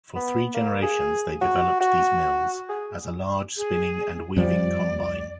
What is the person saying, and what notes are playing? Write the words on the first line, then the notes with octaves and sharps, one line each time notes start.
For three generations they developed these mills, as a large spinning and weaving combine.
B3
A#3
G#4
F#4
F#4
G#4
G#4
F2 F3 G3 D5